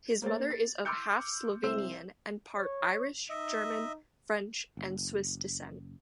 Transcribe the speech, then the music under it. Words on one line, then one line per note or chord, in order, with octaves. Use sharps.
His mother is of half Slovenian and part Irish, German, French, and Swiss descent.
A#3 C5 C#5 A6
A6
C6 D6 E6 F6 G6 C#7
C2 C4 C5 E5 E6 E7
C#5
D#4 D#5 E5
F#1